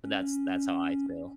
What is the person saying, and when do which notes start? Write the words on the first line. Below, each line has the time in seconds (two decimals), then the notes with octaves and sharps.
but that's that's how I feel.
0.04 C#4